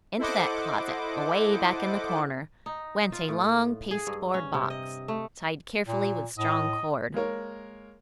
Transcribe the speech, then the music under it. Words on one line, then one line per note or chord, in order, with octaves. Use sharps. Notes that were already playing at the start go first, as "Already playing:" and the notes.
Into that closet, away back in the corner, went a long pasteboard box, tied carefully with strong cord.
E4 A4 C5 D#5 F#5 D6
D#4
F4
A2
G#4
G2
C#4
C3
D#5
A3
A#2
A2 D#5
G#3 A#3 A#4 C#5